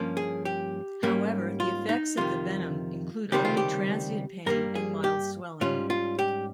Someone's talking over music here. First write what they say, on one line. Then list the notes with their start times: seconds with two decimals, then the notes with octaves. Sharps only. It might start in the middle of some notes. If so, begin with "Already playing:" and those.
However, the effects of the venom include only transient pain and mild swelling.
Already playing: G2 F3 A#3 C#4
0.17 G#4
0.45 G4
1.03 G#2 G3 A#3 C#4
1.60 F4
1.89 D#4
2.17 F2 C3 D#3 F4
3.32 C#2 C3 D#3 G3 C4 G4
3.45 F4
3.57 G4
4.46 G2 G3 A#3 A#4
4.75 G#4
5.04 G4
5.61 G#2 G3 C#4 F4
5.90 F4
6.19 G4